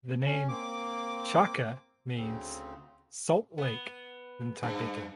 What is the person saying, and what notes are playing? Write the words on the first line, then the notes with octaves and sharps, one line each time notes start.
The name "Chaka" means "salt lake" in Tibetan.
C#4
A#3 C4 D6
D2 C#3 C4
B3
G2